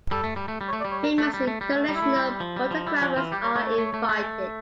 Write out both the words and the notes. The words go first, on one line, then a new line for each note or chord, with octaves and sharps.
Famous international photographers are invited.
G3 A4
A3
G3
A3
G3
C#5
A3
D5
G3
C#5
A#4
A3 A4
G3
A3
G3
A3
G3
E4
A3
G3
F3
G3
F3
G3 E4
F3 D4
E3 F4
G3 G4
C#5
A3 C#5
C#5
A3
A3
A3